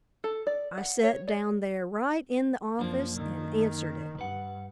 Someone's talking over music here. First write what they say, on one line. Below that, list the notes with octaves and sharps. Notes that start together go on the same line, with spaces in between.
I set down there right in the office and answered it.
A4
D5
F#5
C#5
D5
F#2 F3 A#3 D4
D#3
G2 B4 F#5